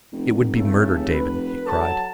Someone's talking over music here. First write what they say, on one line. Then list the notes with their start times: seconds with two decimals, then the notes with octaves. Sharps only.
"It would be murder, David," he cried.
0.13 F1
0.55 C#3 A3
1.12 B4
1.66 F#3 A4 A5